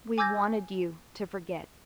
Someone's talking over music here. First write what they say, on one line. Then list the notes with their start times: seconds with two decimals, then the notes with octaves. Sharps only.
"We wanted you to forget."
0.18 G#5 D6 E6 G6 G#6 A#6